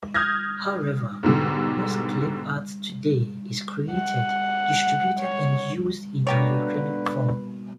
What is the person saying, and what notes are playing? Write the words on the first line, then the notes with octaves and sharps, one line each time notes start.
However, most clip art today is created, distributed, and used in an electronic form.
D#6 F6 G6 G#6 A#6
G#2 B2 D3 G3
F#5
C#5
B2 D3 A#3 G4 B4 C#5 D5